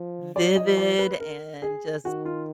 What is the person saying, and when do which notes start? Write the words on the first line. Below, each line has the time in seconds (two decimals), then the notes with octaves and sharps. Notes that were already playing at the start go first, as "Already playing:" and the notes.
vivid and just
Already playing: F3
0.35 F#3 D5
0.56 D#5
0.64 F3
0.77 D5
0.99 B4
1.20 A#4
1.62 G#4
2.05 D#3 F#4
2.25 F4